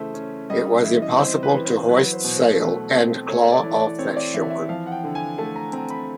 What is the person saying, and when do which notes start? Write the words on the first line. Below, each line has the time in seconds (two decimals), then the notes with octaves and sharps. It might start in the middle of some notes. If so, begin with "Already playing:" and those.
It was impossible to hoist sail and claw off that shore.
Already playing: C#3 E3 A3 C5 E5
0.14 C#4
0.50 G3 D#5
0.67 D#5
0.84 E3 E5
1.02 D#5
1.19 C4 C5
1.43 B4
1.54 E3
1.65 C5
1.89 F#3 B4
2.13 C5
2.24 B2
2.36 C5
2.59 A3
2.94 C4
3.29 A3 C#5
3.52 D5
3.63 E3
3.76 D5
3.99 C4 C#5
4.17 D5
4.34 E3 E5
4.50 E5
4.69 F3 F5
4.87 F#5
4.92 G5
5.04 D3
5.15 G#5
5.38 A3 A5
5.56 A#5
5.73 C4 A#5
5.90 B5